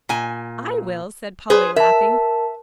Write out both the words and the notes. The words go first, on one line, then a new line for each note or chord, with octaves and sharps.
"I will," said Polly, laughing.
A#2 G#5
G#4 B4 C5
A#4 E5 A5